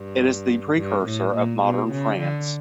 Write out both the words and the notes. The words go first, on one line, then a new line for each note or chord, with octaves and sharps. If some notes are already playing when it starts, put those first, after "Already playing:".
It is the precursor of modern France.
Already playing: G2
G2
A2
A#2
B2
C#3
D3